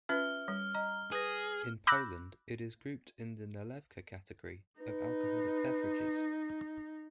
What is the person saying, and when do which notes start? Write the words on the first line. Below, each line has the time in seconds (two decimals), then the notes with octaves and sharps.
In Poland it is grouped in the nalewka category of alcoholic beverages.
0.09 C#4 F4 B4 E5 F6
0.48 G3
0.75 D#5 A#5
1.12 G#4 B4 D#6 A#6
1.87 B5 D6 E6 F#6 G6 A#6
4.81 D#4 B4